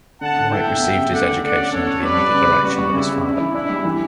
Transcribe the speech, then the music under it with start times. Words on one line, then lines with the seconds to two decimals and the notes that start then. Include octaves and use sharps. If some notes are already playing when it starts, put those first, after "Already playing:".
White received his education under the immediate direction of his father.
0.21 D3 F#5 A5
0.36 D3
0.51 A2 E5 G5
0.67 B3
0.82 B3
0.97 C#3
1.12 A3 D5 F#5
1.27 D3
1.43 A3 D5 F#5
1.57 C#4
1.72 C#4 A4 C#5
1.88 C#4
2.03 G3 B4 D5
2.18 G3
2.34 C#3
2.48 C#3
2.64 G3 F#4
2.79 G3
2.93 C#3 E4
3.09 C#3
3.24 D4 E4
3.40 E3
3.54 D4 E4
3.69 G3
3.85 E3